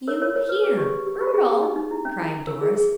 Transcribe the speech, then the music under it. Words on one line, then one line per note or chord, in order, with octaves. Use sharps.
"You here, Earle!" cried Doris.
A#4 C#5
A#4 C#5
A#4 C#5
B4
G#4
G4
G4
G4
G#4
G4
D#4
D#4
E4
C#4
E4
A#4
G#4
G#4